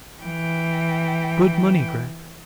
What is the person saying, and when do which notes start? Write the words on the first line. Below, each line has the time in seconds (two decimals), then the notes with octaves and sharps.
Good money, Gregg.
0.23 E3 G5